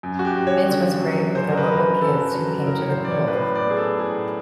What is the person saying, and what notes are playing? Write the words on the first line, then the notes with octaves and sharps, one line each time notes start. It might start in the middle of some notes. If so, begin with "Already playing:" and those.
Vince was great with the local kids who came to the pool.
F#2
F#4
G4
F#2
C#5
D3
F#3
F#2 C5
A#4
B4
F#2 A#4
B4
F#2 A4
F#3
A2 A#4
C#5
C5
A2
D5
C#5
B4
A2 C5
D5
B3 G#4
A4
A2 G#4